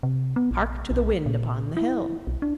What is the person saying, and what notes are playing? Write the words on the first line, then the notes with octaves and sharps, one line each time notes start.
Hark to the wind upon the hill!
C3
B3
A#1
B1
A#2
E4
B1
D4